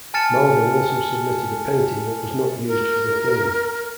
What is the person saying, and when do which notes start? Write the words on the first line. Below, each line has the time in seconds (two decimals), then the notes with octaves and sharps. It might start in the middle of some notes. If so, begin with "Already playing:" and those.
Malvin also submitted a painting that was not used for the film.
0.14 G#5 A5 F6 A6 C#7 E7
2.68 A#4